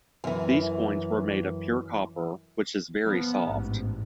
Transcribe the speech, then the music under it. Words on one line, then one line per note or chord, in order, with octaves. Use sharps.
These coins were made of pure copper, which is very soft.
F#2 E3
F3 B3
A1 G#2